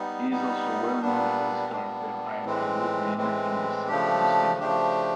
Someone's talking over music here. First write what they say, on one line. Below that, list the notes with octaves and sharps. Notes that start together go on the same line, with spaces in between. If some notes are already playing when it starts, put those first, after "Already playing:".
He is also well known for his character Ira Woodbine in the sitcom "Cybill".
Already playing: G3 B3 D#4
G3 B3 D#4
A#2 G3 B3 D4
A#2 G3 B3 D4
A2 E3 G#3 C4
A2 E3 G#3 C4
C#3 F3 A3 D4 G4
C#3 F3 A3 D4 G4